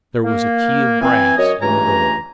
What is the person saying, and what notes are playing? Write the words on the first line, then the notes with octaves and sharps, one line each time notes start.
There was a key of brass in the door.
A#3
E3 C4 G#5
F#2 C#5 D#5
C#2 G2 E3 A3 G#5 A#5